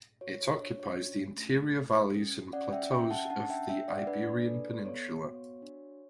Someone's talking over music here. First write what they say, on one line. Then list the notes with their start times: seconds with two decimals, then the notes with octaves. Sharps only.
It occupies the interior valleys and plateaus of the Iberian Peninsula.
0.21 F#4 C#5
0.40 C#5
0.60 D4 C#5
0.80 C#5
0.99 C#4
1.37 A3
1.76 A4
2.14 C#4
2.53 C#4 D5 F#5
2.72 E5 G5
2.91 C#4 E5 G5
3.11 F#5 A5
3.30 D4 F#5 A5
3.50 E5 G5
3.69 D4 E5 G5
3.88 D5 F#5
4.07 D4 B4 D5
4.46 A4
4.85 B3 C#5
5.24 F#4
5.62 D4